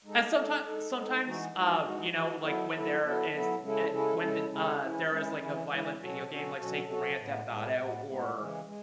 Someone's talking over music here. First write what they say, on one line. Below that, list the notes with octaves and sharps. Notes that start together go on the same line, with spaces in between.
and someti sometimes, uh, you know, like when there is, l i uh, when, uh, there is like a violent video game, like say Grand Theft Auto or,
G#3 D#4 A4
G#3 D#4 A4
G#3 D#4 A4
G#3 D#4 A4
E3 G#3 D#4 F#4
E3 G#3 D#4 F#4
E3 G#3 D#4 F#4
E3 G#3 D#4 F#4
F#3 B3 E4 A4
F#3 B3 E4 A4
F#3 B3 E4 A4
F#3 B3 E4 A4
C#3 G#3 C#4 E4 A4
C#3 G#3 C#4 E4 A4
C#3 G#3 C#4 E4 A4
C#3 G#3 C#4 E4 A4
E3 G#3 C#4 E4
E3 G#3 C#4 E4
E3 G#3 C#4 E4
E3 G#3 C#4 E4
B2 F#3 C#4 F#4 A4
B2 F#3 C#4 F#4 A4
B2 F#3 C#4 F#4 A4
B2 F#3 C#4 F#4 A4
A2 G#3 B3
A2 G#3 B3
A2 G#3 B3
A2 G#3 B3
C#3 E3 G#3
G#3